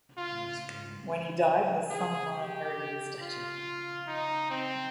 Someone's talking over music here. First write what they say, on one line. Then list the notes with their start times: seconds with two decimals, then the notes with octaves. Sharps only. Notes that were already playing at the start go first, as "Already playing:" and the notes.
When he died, his son-in-law inherited his duchy.
0.18 F4
1.90 G#4
2.35 G4
3.21 F4
4.08 D#4
4.51 C4